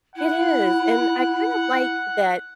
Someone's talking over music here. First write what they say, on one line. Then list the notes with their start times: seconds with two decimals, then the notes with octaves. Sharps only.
It is. And, I kind of like that,
0.16 E4 F#5